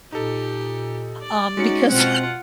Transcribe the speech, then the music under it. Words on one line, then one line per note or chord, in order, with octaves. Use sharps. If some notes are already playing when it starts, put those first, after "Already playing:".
um, because,
A#2 D#4 G4 A4
D5
G#3 C#4 D#4 F#4 C#7
B2 C4 F4 F#5